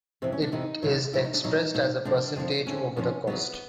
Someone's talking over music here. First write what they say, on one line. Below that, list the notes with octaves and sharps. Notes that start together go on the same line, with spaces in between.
It is expressed as a percentage over the cost.
F2 C3 E3 C4
C#4
D4
F2 C3 E3 D#4
E2 B2 F#3
E2 B2 F#3 E4
D#4
D4
E2 B2 F#3 D#4
E2 B2 F#3
F2 D3 F3 D4
F2 D3 F3
F2 D3 F3 C#4
F2 D3 F3 C#4
E2 C#3 F#3 B3